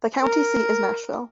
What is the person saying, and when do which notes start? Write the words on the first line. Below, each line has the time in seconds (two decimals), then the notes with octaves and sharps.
The county seat is Nashville.
0.23 A#4